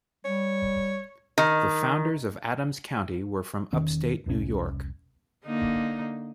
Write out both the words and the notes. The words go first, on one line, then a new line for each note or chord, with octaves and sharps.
The founders of Adams County were from upstate New York.
G3 C#5
D#3
E1 D#3 C#4
E1 C2 C#3 C#4
D3 A#3 D#4